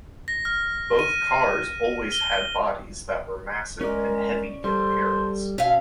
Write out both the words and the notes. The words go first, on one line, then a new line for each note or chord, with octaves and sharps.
Both cars always had bodies that were massive and heavy in appearance.
A#6
F6
D#7
G7
G#3 C#4 A#4 D5
G3 A4 C5
B2 C#4 E5 F5